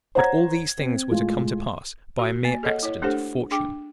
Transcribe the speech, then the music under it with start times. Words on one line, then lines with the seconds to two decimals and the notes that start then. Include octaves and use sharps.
But all these things were to come to pass by a mere accident of fortune.
0.15 C5 C#5 F#5 A#5 G#6
0.78 C4
1.10 A2 G#3 F4
2.19 F#4
2.45 A#3
2.63 G#4 A4 C#5 D#5 F#5
2.83 E4 C#5
3.02 A3 D4 G4 A4 C5 F#5
3.51 D4 G#4 G5 D6